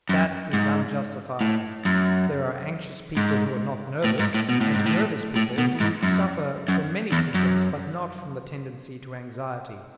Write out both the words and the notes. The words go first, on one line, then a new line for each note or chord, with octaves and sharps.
That is unjustifiable; there are anxious people who are not nervous, and nervous people who suffer from many symptoms, but not from the tendency to anxiety.
F#2
G#2
A2
F#2
G#2
A2
G#2
A2
B2
A2
G#2
A2
A2
B2
G#2
F#2
F#2
E2
F#2